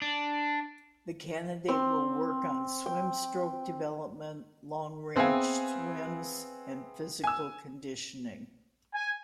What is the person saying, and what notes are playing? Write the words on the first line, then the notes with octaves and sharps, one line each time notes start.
The candidate will work on swim stroke development, long range swims and physical conditioning.
D4
C4
G5
B3 C4 G#4 E5 F5 G#5
G#5 E6
G#5